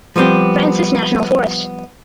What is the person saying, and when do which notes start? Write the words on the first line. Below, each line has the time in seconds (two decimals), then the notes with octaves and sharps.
Francis National Forest.
0.16 F3 G3 B3 C4 G4